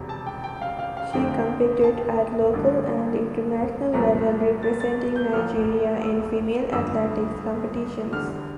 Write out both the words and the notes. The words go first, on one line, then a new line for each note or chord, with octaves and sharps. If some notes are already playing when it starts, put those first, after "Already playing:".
She competed at local and international level representing Nigeria in female athletics competitions.
Already playing: E1 E2 C3
A5
G5
G5
F5
F5
F5
F2 D3 A3 C4 G5
A5
A1 G2 D3
C2 A#2 F3 A3 A#5
A6
A6
G6
A1 A2 F3 A#3 F6
E6
G1 F2 D3 E6
E2 D3 G3 F6